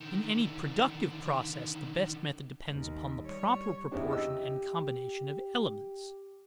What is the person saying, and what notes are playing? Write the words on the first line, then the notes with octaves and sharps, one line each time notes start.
In any productive process the best method depends upon the proper proportion and combination of elements.
D3 D#3
D#2
G3 C#5
E2 C#4 D4 G4
D#5 E6